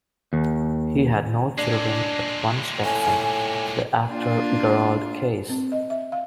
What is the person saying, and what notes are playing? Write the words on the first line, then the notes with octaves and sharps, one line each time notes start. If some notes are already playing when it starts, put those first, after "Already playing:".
He had no children but one stepson, the actor Gerald Case.
D#2
A#2 G#3 D4
A2 G#5
A#3 D4 F4
C4
D#5
E5
F5